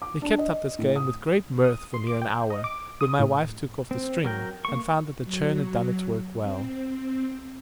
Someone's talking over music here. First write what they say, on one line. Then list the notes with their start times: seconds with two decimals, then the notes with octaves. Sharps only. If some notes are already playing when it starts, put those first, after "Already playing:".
They kept up this game with great mirth for near an hour, when my wife took off the string, and found that the churn had done its work well.
0.02 D6
0.22 D4
0.39 D#5
0.78 A2
0.96 D#6
1.64 D#6
1.94 C6
2.07 D6
2.22 G5
2.50 D#5
2.64 D6
3.01 D#6
3.19 A2
3.91 C4
4.25 F#3 A#4 G5
4.65 A#3 C#6
5.24 F#3
6.42 C4